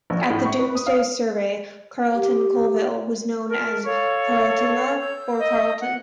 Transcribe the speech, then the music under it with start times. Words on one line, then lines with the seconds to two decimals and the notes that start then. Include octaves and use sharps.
At the Domesday survey Carlton Colville was known as Carletuna or Karletun.
0.10 A#1
0.30 A2
0.45 C#6
0.59 B4
0.75 D#6
0.87 F5
2.15 G4
3.49 A#4 A5
3.85 A4 C#5 F5 C#6
5.00 E6 G6
5.39 D#5
5.81 F#5